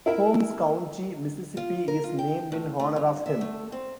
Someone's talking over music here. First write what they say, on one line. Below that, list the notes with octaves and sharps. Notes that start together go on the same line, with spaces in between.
Holmes County, Mississippi is named in honor of him.
E4 A#4 E5
F4
A#4
F4
G5
A2
A3
G2
E5
A3
C4